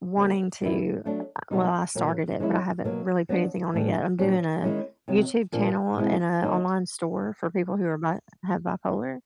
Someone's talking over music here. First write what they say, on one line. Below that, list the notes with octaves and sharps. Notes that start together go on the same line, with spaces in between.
wanting to, uh well, I started it, but I haven't really put anything on it yet, I'm doing a YouTube channel and a online store for people who are bi have bipolar.
C#3 F#3 A#3
E3 G3 B3 E4
F#3 A3 D4
B2 G3 A#3 D#4
A#2 F#3 A#3
D#3 G#3 C#4 E4
B2 F#3 A#3
F#3 B3 D4
A2 E3 G3
A#2 F#3 B3 D4
D#3 G#3 C#4 E4
C3 D#3 F#3
A#2 F3 A#3 D4
B2 G#3 C4 E4
D3 F#3 A#3 D#4